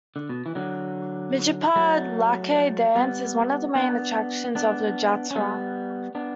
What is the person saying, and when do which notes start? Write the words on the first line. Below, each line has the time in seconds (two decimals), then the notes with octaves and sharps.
Majipa Lakhe dance is one of the main attractions of the jatra.
0.16 D3
0.29 B2
0.46 E3
0.55 D3 F#3
1.76 F#3 A3
2.95 G3 B3
3.75 B3 D4
4.55 B3 D4
5.31 C#4
5.36 G3 B3
6.15 B3 D4